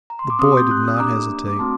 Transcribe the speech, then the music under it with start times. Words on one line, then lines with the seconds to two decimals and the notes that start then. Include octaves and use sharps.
The boy did not hesitate.
0.10 A#5
0.19 C6
0.30 D6
0.39 C4 G4 C6 D#6
0.57 G6
0.71 F#6
0.85 D#6
0.99 A#3 D4 G4 A#5 D6
1.48 D6
1.59 A3 C4 F#4 A5 C6